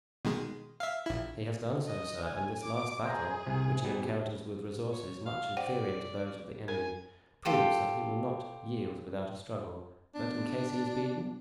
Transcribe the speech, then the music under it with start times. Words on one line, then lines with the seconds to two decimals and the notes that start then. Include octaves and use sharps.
"He has done so, sir, and this last battle, which he encounters with resources much inferior to those of the enemy, proves that he will not yield without a struggle; but in case he is beaten?"
0.25 B2 D#3 G#3
0.80 E5 F5
1.06 A#1 E4
1.87 D#5
2.25 G#5
2.62 D6
3.05 G#4 C5 D#5 A#5
3.47 C2 C3
3.84 B2 G3
4.92 C#5
5.26 F5
5.57 C5 D5 F#5 G5
6.68 A#4 G#5
7.45 F4 G4 A4 G5
10.15 B3 D4